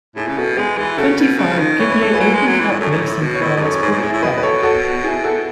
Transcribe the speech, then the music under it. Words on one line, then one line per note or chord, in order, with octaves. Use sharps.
Twenty-five Ghibli Open Cup racing cars were prepared.
A2 E4 G#4
C#3
B2 F#4 A4
G#3 G#4 B4
E3 E4 G#4
C#3 F#4 A4
B2
C#3
D#3
E3 C#5
B4
A4
G#4 B4
F#3
G#3
F#3
E3
A2
F#2 A4 C#5
G#2
A2
B2
C#5
A2 B4 D#5
G#2
F#2 A4 C#5
C#5
G#2 G#4 B4
G#2
B2
A2 E4 G#4
A2
B2 B4 D#5
B4
A4 C#5
F#4 A4
E4 G#4
F#4 A4